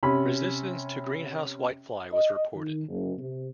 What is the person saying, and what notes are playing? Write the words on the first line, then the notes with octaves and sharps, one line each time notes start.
Resistance to Greenhouse whitefly was reported.
C3 C#4 B5
D#5
D#3
F#1
C3